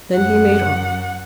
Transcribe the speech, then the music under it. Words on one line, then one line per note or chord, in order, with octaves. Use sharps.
Then he made off.
F#2 F#5